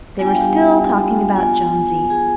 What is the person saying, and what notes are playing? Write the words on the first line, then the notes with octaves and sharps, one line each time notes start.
They were still talking about Jonesy.
G3 B3 D4 F4 G#5
G5
F5
G4 G5
B3 F4 G#5
G#5
G#5
G#4 G#5